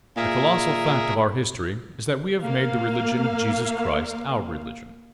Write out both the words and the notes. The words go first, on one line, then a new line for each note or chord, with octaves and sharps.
The colossal fact of our history is that we have made the religion of Jesus Christ our religion.
A#2 G#4 A#4 E5
A#3 F5